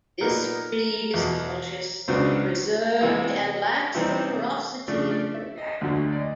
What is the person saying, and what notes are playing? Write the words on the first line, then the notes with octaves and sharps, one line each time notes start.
This breed is cautious, reserved and lacks the ferocity to attack.
A#2 F#3 B3 D#4 A#4
E2 B2 F#3
C#2 C#3 F#3 B3 D4 C5
C3 E3 G#3
C3 E3 G3 C4 D#4
C#3 F3 A3 D4 D5
D5
E5
D#5
D2 D3 F#3 A3
D5
D#5